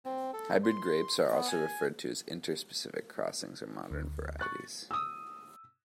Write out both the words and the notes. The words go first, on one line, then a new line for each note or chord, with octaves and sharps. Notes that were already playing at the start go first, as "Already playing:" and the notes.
Hybrid grapes are also referred to as inter-specific crossings or Modern Varieties.
C4
A4
C6
B3
G#5
D2
C#6 F#6 A6
D#6 E6